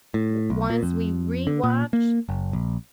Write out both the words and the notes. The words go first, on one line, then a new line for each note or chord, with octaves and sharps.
o ones we rewatch
A2
B1
A#2
F2
D3
A#2
A#3
F#1
A#1